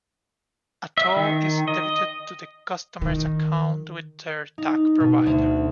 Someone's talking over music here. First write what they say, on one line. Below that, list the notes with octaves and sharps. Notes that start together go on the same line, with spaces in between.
A toll is debited to the customer's account with their tag provider.
E5
D#3
D#5
D#3
D#4
B2
D2